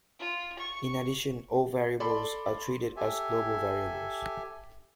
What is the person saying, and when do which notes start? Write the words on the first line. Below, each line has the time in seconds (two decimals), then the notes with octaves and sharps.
In addition, all variables are treated as global variables.
0.20 F4
0.58 C#6
2.00 A4 D5 B5 C6
2.96 G4 A4 E5 G#5